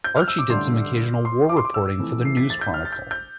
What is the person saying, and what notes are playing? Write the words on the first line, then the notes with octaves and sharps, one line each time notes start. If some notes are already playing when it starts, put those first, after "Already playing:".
Archie did some occasional war reporting for the "News Chronicle".
G6
F6
E6
D6
A1 G2 D3 A3 C6
C6
D6
C6
D6
E6
F2 E3 A3
C7
B6
A6
G6
F6
A6
G6
G6